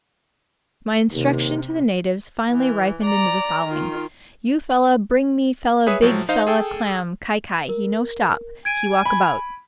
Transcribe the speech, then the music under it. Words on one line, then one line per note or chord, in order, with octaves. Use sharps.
My instruction to the natives finally ripened into the following “You fella bring me fella big fella clam—kai-kai he no stop, he walk about.
D#2 C3
E3
D5 A#5
D#3 F4
G#4 B4 C#5 E5 D#6
A2 F3 F#3
D#4 C5 D#5 F5
G#4 A4 G5
A#4
G#5 G#6 D7 D#7
B5